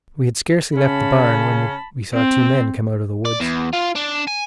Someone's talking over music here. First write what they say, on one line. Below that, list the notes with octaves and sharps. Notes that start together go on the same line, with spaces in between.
We had scarcely left the barn when we saw two men come out of the woods.
C#3 C#4 A5 B5
C4
D5
E2
F4
D4
G#5